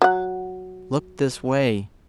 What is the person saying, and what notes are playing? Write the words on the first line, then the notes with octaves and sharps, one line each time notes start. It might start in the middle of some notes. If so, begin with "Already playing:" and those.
Look this way!
F#3 F#5